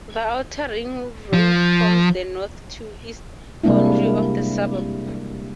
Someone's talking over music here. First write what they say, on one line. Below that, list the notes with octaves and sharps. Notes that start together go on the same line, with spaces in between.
The outer ring road forms the north to east boundary of the suburb.
F3
C3 G3 G#3 A#3 D4 E4